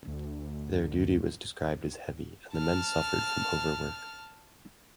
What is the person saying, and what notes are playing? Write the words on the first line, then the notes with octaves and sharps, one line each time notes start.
Their duty was described as heavy and the men suffered from overwork.
D2
A5 F6